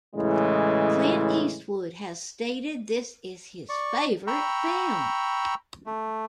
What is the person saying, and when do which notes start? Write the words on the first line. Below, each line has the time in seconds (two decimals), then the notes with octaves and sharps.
Clint Eastwood has stated this is his favorite film.
0.15 A2 C#3 E3 G#3
3.69 D5 C#6
4.27 G5 A#5 B5 C#6 E6
5.86 A3